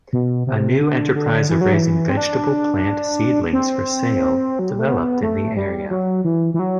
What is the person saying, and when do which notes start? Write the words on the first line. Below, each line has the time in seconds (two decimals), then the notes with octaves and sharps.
A new enterprise of raising vegetable-plant seedlings for sale developed in the area.
0.13 B2
0.47 C3
0.81 D3
1.15 D3
1.49 E3
1.61 F#3
1.73 E3
2.10 C4
2.17 D4
3.53 C4
4.59 F#3
4.70 G3
4.79 A3
4.89 B3
5.23 A3
5.56 G3
5.90 F#3
6.24 E3
6.54 E3
6.59 F#3